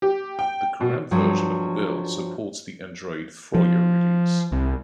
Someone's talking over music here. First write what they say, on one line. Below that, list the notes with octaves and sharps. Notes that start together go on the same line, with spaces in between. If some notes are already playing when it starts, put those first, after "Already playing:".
The current version of the build supports the Android Froyo release.
G4
G5
B2
G2 F3 F#3
F3
C2